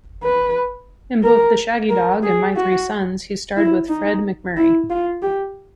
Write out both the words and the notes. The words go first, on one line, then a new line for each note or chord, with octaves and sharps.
In both "The Shaggy Dog" and "My Three Sons", he starred with Fred MacMurray.
B4
A#4
A#4
G#4
F#4
E4
D#4
E4
F4
G4